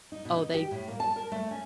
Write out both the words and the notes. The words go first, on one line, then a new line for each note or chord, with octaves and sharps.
Oh, they
D#4
B2
D#4
G4
A2
A#3
A5
A#4
A3
C#4